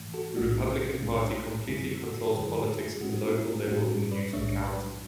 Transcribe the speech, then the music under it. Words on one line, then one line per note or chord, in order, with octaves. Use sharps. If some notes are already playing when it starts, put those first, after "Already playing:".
The Republican Party completely controls politics at the local level in Newton County.
Already playing: G#2 E3 A3
F#4 A4
B1 A2 G#3 D4 F#4
B1 A2 G#3 D4
F#2 D3 G#3 E4 G#4
F#4 A4
F#2 D3 G#3 G#4 B4
F#4 A4
E4 G#4
A2 G#3 C#4 F#4
E4
A2 G#3 C#4 F#4
B4 D5
B1 A2 G#3 D4 C#5 E5
B4 D5